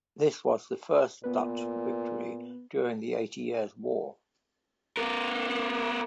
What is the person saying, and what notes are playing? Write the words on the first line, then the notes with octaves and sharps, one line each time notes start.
This was the first Dutch victory during the Eighty Years' War.
A#2 B3 B4
B3 A#4